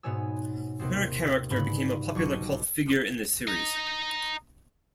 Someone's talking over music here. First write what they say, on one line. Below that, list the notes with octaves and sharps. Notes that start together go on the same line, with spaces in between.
Her character became a popular cult figure in the series.
G#2 B2 B3 C#5 G#5 E6
D#2 C3 B3 C4
G1 G#2 C#3 B5
B1 C#6 D#7
D#5 A#5